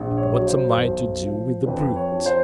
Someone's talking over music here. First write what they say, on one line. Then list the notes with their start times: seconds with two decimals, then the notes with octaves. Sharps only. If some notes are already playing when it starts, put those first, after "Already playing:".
"But what am I to do with the brute?"
Already playing: A#1
0.17 C#5
0.32 F#3
0.47 C5
0.77 B1
1.22 F3
1.66 F2 B4
1.96 C#5
2.12 F3
2.26 C5